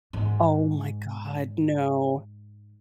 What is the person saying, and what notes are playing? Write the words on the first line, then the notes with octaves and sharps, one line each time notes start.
Oh my God. No.
G#2 D#3